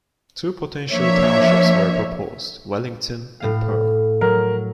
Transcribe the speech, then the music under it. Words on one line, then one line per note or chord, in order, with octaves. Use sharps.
Two potential townships were proposed: Wellington and Pearl.
F3 A#3 D4 C#5 E5
A2 F5
F#3 A#4